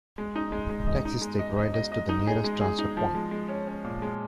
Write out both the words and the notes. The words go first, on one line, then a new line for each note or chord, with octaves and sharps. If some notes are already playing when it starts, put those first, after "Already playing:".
Taxis take riders to the nearest transfer point.
G#3
D#4
G#3
G#3
D#5
D#4
G#3
D#5
D#5
D#5
D#5
D#4
G#4
G#3
G#4
D#4
F3
G#3
G#3
C#4
C#4
A#2
G#3